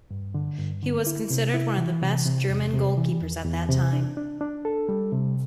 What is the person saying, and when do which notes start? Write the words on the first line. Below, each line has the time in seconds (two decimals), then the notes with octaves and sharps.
He was considered one of the best German goalkeepers at that time.
0.11 G2
0.34 D3
0.58 G2
0.82 D3
1.06 E4
1.30 C3
1.54 E4
1.78 E3
2.02 C3
2.25 C3
2.49 E2
2.74 C3
2.97 E3
3.21 E2
3.45 E2
3.69 C3
3.93 D4
4.17 D4
4.41 D4
4.65 A4
4.89 G3
5.12 C3